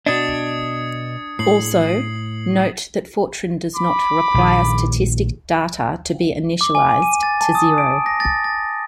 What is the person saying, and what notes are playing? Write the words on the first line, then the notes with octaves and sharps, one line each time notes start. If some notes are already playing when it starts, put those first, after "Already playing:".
Also, note that Fortran does not require static data to be initialized to zero.
B2 D4 D#5 D#6 G#6 C#7
A2 C7 F#7
B5 D6
A#1 D#3
D6
G#5
D#7
A6
A5
D#6
D7
A#6
A6
A6